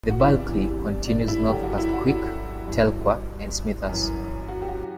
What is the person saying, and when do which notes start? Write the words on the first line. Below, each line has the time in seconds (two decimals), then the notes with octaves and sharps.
The Bulkley continues north past Quick, Telkwa and Smithers.
0.10 F#4
0.20 E4
0.28 E2 C3 E3 D4
0.48 E3
0.68 G3
0.88 D4
1.08 D4
1.28 E4
1.48 F#2 D3 G4
1.63 F#4
1.78 E4
1.93 F#4
2.09 F#4
2.68 G2 E3
3.89 F#2 E3
4.48 F#4
4.62 G4
4.68 F#4